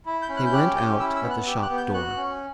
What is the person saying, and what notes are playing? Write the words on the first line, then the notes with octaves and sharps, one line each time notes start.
They went out at the shop door.
E4
G6
C#4
F#6
G6
G4 F#6
C#4 G6
E4 E6
E6
B3
F#6
G4 E6
F#6
B3
G6
F#4 F#6
C#4